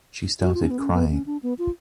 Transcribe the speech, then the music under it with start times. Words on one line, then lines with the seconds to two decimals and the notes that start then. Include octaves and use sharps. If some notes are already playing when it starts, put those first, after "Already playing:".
She started crying.
0.41 F4
0.46 F#4
0.54 F4
0.63 C#4
0.71 B3
0.79 C#4
0.94 B3
1.11 C#4
1.26 D4
1.43 B3
1.59 F4